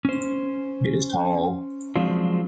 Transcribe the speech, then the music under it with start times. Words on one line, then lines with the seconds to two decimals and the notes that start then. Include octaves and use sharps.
It is tall.
0.05 C#4 C5
1.96 F3 F#3 G#3 C4 D4 F4